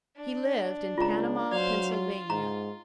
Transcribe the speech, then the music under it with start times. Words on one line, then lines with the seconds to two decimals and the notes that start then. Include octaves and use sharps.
He lived in Panama, Pennsylvania.
0.15 D4
0.98 C#2 F4 A#5
1.51 F#3 C5 D5 F5
1.92 F4
2.30 G#2 A#5